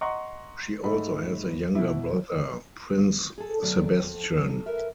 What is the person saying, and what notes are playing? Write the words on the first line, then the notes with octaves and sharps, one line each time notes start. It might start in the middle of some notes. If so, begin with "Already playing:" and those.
She also has a younger brother, Prince Sebastian.
D#5 F#5 A#5 C6 C#6
G#2 A3 D#4 B5
B2 E4
G#4 A4
D2 C3 F#3 A3 D5
F2
D3 F#3 C#4 C#5
D#4
A#4 B4 E5